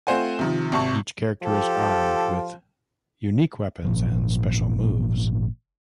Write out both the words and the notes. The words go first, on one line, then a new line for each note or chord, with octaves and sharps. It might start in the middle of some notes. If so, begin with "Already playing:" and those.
Each character is armed with unique weapons and special moves.
A3 C4 F4 C5 F#5 G#5
C3 D#3 F3
G#1 C3 A5 C#6
F3 G4 A4
G#1 A#2 F3